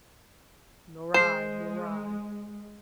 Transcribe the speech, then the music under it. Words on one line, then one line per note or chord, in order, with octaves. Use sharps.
"Nor I,--nor I."
G#3 C5 C7 E7